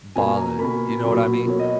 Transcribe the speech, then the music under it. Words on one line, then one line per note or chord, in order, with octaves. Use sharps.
balling, you know what I mean?
B2 A#3 G#5
A#5
B2 A#3 B5
B2 F#3 A#3
B2 F#3 A#3 C#5
D#5